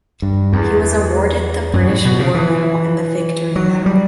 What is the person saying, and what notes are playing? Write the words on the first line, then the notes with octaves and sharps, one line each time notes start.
He was awarded the British War Medal and the Victory Medal.
G2
E2
F#2
A2
B2
C#3
E3
F#3
G3